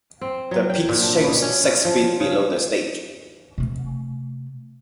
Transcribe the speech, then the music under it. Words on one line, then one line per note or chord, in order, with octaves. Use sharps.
The pit sinks six feet below the stage.
C4
F#3
G5
A#2
D4
B2
C#4
C#4
F3
C#3
C3 A3